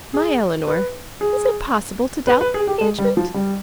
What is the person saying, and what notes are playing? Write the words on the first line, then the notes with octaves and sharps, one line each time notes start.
My Elinor, is it possible to doubt their engagement?
G#4
B4
G#4
B4
B4
G#4
G4
G#3
G3
F3
G3